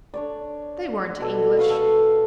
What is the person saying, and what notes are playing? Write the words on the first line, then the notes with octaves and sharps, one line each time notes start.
"They weren't English."
D4 C#5 D5
B2 A4
B4 F5 C#6
A4